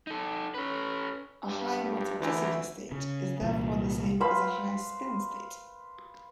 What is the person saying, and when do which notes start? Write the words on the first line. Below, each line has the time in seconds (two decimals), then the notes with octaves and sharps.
A high multiplicity state is therefore the same as a high-spin state.
0.07 D#4 A4
0.54 C#4 A4 B4
1.45 G2
2.19 D2 E3
2.92 C#3
3.41 C2 A#2 E3
4.20 B4 C5 F5 B5